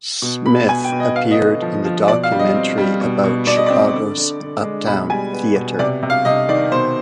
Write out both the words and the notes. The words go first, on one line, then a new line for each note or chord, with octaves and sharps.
Smith appeared in the documentary about Chicago's Uptown Theatre.
B2
B2 B5
B2 G#5
G5
B2
D#5
B3 F5
D#5
D3
F3
F3
B2 D5
F5
G3
D#5
C4
G3
B2
B2
B2 D5
D#5
C4 D5
D3
D3
D3
G#3
B2 B5
G3 G#5
B3
B2
C3 D5
C3
F5
C3 D#5
D#3 D5
B2 C5